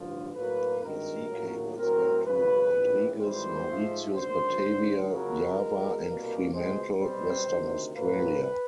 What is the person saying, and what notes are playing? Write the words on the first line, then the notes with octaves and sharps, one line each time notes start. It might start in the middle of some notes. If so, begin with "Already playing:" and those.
Undersea cables went to Rodrigues, Mauritius, Batavia, Java and Fremantle, Western Australia.
Already playing: A1 G2 D3 F3
B1 A2 F#3 A#3 B4
G#1 G2 D#3 A#4
A#1 A2 F#3 A#3
A2 F#3 A3 C4 A#4
G#1 F#2 C#3 B4
A#1 A2 E3
G#1 G#2 E3 G3 C5
G#2 F3 A3
G#1 F#2 D3 C5
A1 G2 D3
F2 C#3 F#3 A#4
E2 B2 G#3
C2 B2 G3 A#3
C#2 B2 G#3 C4 C5
B1 B2 G3 C4 C5
D2 C3 D#3
A#1 A2 F#3 A#3 B4